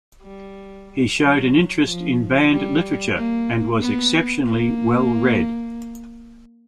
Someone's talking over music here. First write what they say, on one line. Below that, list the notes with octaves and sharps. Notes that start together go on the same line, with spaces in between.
He showed an interest in banned literature and was exceptionally well read.
G3
F#3
F3
G3
A#3
B3
A#3